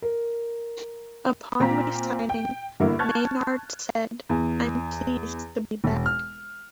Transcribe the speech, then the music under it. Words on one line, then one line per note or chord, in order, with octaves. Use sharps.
Upon re-signing, Maynard said I'm pleased to be back.
A#4
A#2 C4 F4 A#5 B6
G5
G2 D3 A#3 E4
A5 C#6 F6 F#6 G#6 A6
E2
E1
F6